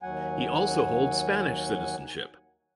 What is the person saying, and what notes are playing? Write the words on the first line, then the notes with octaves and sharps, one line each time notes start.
He also holds Spanish citizenship.
D#2 F#3 F#5 G#5